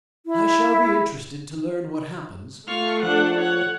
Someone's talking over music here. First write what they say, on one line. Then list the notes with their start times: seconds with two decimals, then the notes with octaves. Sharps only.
"I shall be interested to learn what happens."
0.26 E4
2.68 A3 F4 C#6 F6
3.03 F3 D4 F#5
3.38 C#5 F#5